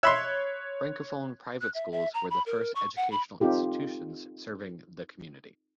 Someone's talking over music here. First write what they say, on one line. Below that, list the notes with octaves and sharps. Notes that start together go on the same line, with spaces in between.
Francophone private schools were the first educational institutions serving the community.
C#5 E5 B5 C6 F#6 G#6
F#6
E5
E5
A#5
B5
A#4
C#6
F#5
B5
C4 D#4 F4 G4 A4